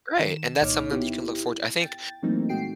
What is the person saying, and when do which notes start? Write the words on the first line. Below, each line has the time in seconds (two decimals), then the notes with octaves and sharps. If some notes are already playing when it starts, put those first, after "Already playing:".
Great, and that's something that you can look forward to I think
0.19 D#3 E7
0.61 C2 A#2 D#4 C#5 D6 F6
0.90 B3 E4 G4
1.81 G5 A6
2.23 E3 F#3 A3 A#3 C4 D#4
2.49 A#1 G#3 F#4 G5 C7 D7